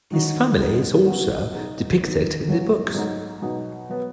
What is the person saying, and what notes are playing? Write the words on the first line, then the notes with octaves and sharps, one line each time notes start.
His family is also depicted in the books.
D#3 F#3 D#4 F#4
G#2 F#3 D#4 G#4
C#3 F#3 B3 F#4
B2 F#3 D#4 G#4
D#2 D#3 B3 D#4
F#2 C#3 F#3 B3
G#2 F#3 D#4 G#4
B2 F#3 D#4
F#3 B3